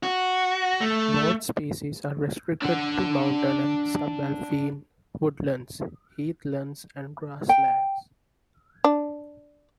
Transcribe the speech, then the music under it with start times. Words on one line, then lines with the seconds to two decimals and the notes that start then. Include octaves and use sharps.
Both species are restricted to mountain and sub-alpine woodlands, heathlands and grasslands.
0.03 F#4
0.81 A3
2.62 D4 F#5
7.49 G5
8.84 D4